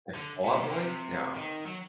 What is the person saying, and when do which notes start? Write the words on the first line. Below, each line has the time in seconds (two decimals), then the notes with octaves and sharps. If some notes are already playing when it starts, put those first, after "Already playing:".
Like Fallout Boy? No.
0.14 D3
0.45 A#2
0.60 C3
0.68 D3
0.77 C3
1.35 D#3
1.66 F#3